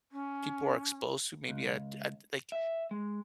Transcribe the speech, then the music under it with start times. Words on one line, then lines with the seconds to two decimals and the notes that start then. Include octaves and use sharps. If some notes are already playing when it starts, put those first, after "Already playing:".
people are exposed to maybe at at, like
0.12 C#4
1.49 C#2
2.52 E5
2.91 G#3